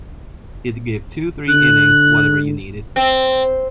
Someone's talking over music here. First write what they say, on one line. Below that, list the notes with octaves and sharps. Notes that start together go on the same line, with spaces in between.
He'd give two, three innings - whatever you needed.
D3 F#6
C4